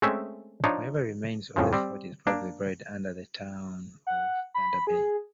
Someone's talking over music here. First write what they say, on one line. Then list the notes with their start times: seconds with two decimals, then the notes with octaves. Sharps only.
Whatever remains of the fort is probably buried under the town of Thunder Bay.
0.02 G#3 A3 C4 C#4 E5
0.64 F3 D4 D#4 C#5
1.56 F2 A2 C#3 F3
1.73 G3 C4
2.27 A#3 D4
4.07 F#5
4.54 B5
4.87 G#4